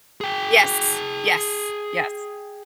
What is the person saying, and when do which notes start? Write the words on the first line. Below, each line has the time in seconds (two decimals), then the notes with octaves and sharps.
Yes. Yes. Yes.
0.21 G#4 G5